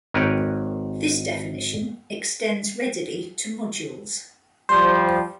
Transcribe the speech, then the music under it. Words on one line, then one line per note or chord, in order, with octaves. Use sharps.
This definition extends readily to modules.
G#1 A#4 B4 C#5 G5
F3 G3 C5